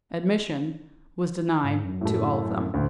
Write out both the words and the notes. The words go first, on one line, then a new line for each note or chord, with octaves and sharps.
Admission was denied to all of them.
G#2
F#2
A2 A3
D2 A2